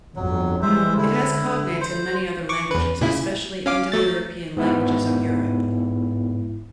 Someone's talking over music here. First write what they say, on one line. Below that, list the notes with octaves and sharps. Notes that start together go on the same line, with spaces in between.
It has cognates in many other languages, especially Indo-European languages of Europe.
G1 F2 F#3
E3 G3 G#3 C5 E5
D3 E4
C5
C#6 D6
E2 B4
A#2 C#3 E4
C#4 F5 D6
F#3 A3 A6
G#2 B3 E4